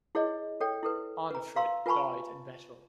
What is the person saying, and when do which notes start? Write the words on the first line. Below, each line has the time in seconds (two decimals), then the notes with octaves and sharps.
Arnefrit died in battle.
0.15 E4 G#4 C#5 D#5
0.61 A4 C#5 G5
0.83 E4 A4 B4
1.31 B4 A#5
1.56 F5 A#5 C6 E6
1.86 F4 B4 G#5 A5 B5 C#6